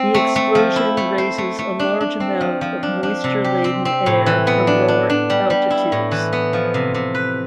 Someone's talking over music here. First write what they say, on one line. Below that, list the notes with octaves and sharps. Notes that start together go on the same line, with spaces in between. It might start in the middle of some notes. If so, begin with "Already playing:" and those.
The explosion raises a large amount of moisture-laden air from lower altitudes.
Already playing: C4
A3
A3
F3
E4
A3
C5
A3
A3
D4
D4
C4
F3
F3
D4
D4
C3
G4
C4
C4
A2
E3
B3
D4
D4
D4
G3
G3
E4
A2
E3
B3
F3
C3
C3
B4